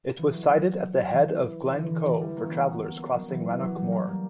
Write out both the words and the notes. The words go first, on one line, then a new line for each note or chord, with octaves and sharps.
It was sited at the head of Glen Coe for travelers crossing Rannoch Moor.
E3
F#3
E3
E3
D3
E3
E3
G3
A#3
C#4
B3
C#4
A#3
F#3
E3
F#3
G3
A#3
G3